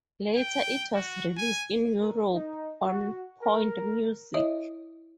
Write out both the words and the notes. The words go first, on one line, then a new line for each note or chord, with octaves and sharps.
Later, it was released in Europe on Point Music.
G5
F#4
G#5
A#4
D#4
F#4
A#4
E4 C#5 D#5 E5